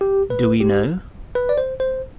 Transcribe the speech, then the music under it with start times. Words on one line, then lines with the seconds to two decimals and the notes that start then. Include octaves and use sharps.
Do We Know!?
0.01 G4
0.30 B4
0.60 G4
1.35 B4
1.49 D5
1.58 C5
1.80 C5